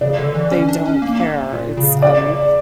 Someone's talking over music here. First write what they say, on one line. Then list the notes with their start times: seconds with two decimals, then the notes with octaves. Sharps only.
they don't care. It's, um
0.01 C#3 D5
0.18 D3
0.35 E3
0.51 C#4
0.69 D4
0.86 C#4
1.02 A#3
1.52 A#2
1.77 C#3
2.02 D5